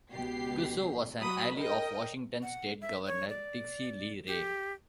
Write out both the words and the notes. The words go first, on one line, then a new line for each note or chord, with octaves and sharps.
Guzzo was an ally of Washington state governor Dixy Lee Ray.
C#2 B2 G4 C7
F#3 B5 D#6
A#4 D#5 G5
F#5
E5
C#5
D5
G4